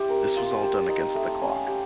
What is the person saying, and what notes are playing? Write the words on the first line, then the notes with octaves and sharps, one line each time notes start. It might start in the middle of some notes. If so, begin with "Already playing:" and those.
This was all done against the clock.
Already playing: C4 E4 G4
A#4
F4
G4
D#4
A3
C#4
G4